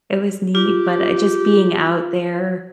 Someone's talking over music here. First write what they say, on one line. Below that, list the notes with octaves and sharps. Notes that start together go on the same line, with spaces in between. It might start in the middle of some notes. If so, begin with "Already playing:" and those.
It was neat. But I just being out there,
F4 G4